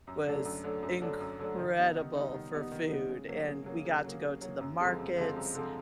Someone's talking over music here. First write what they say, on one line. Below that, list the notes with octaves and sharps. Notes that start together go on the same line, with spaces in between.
was incredible for food, and we got to go to the markets,
F#2
D3 F#3 A3 D4
F#2
D3 F#3 A3 D4
F#2
D3 F#3 A3 D4
F#2
D3 F#3 A3 D4
D#3
G3 B3 D#4
D#3
G3 B3 D#4
D#3
G3 B3 D#4
D#3
G3 B3 D#4
C#3
F#3 A#3
C#3
F#3 A#3
C#3
F#3 A#3
C#3
F#3 A#3
F#2
D3 F3 G#3 C4
F#2
D3 F3 G#3 C4
F#2
D3 F3 G#3 C4